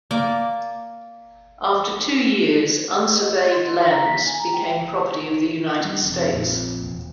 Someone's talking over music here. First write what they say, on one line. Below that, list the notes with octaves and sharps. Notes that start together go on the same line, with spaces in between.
After two years, unsurveyed lands became property of the United States.
A#3 D5 D6
D#5
A6
C6
A#5
B6
G#5
A#5
G5
G3 D4
F1 F2
A#1 F2 A#2
E1